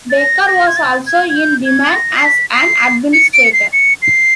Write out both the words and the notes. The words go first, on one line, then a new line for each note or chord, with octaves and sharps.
Baker was also in demand as an administrator.
A6
A#6
A#6
G#6
A6
G#6
G#6
G6
G#6
A6
A#6
C7
B6
C7
C#7
D7
C#7
C7
C#7
C7